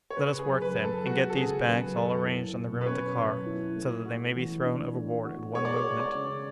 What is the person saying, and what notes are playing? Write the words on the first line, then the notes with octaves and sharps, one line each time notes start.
"Let us work, then, and get these bags all arranged on the rim of the car, so that they may be thrown overboard at one movement."
C#5
C#3 B4
G#4
F#2
B4
F#2
A4
G#3 F#4
A4
C#3 G#4
F#2 B4
F#3 A4
E4
B2
B4
C#4 C#5
F#3
E4
A3
F#4
E3
D4
A3
F#4
G#3 C#5
D5
C#5
F#4
D5
C#3